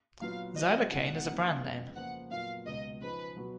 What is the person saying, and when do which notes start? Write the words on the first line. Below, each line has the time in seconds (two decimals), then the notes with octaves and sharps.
Xylocaine is a brandname.
0.21 A#2 F#3 B3 F4 B4 F5
0.56 F3 G#3 B3 D#5
0.90 C#2 B2 G#3 D#4 F#5
1.26 D#3 F#3 A#3 C#4
1.61 F2 C#3 G#3 B3
1.96 C#3 F3 A#3 F4 B4 F#5
2.31 A#2 F#3 B3 F4 A#4 F5
2.66 C#2 B2 G#3 D#5
3.01 C#3 F3 G#3 D#4 G#4 B4
3.36 B2 F#3 B3 F#4 B4